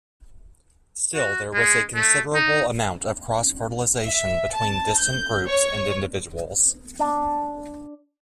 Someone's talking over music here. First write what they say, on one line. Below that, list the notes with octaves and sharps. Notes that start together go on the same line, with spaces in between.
Still, there was a considerable amount of cross-fertilization between distant groups and individuals.
F#4
G#3
A3
D#4
E5
A5
G6
C#5
D4